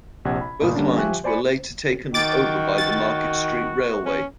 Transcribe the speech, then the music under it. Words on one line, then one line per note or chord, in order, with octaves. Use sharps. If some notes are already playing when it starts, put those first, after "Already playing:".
Both lines were later taken over by the Market Street Railway.
A#1 C3 F#5 G#6
B5
G1 A#2 F4 B5 D#6
D3 G3 A#3 C#4 D4
F3 G4 E5 G#5 C#6 F#6
C5 D5 G#5 B5 C#7
D#3 F#4 D6 A6 D7
A6
C#4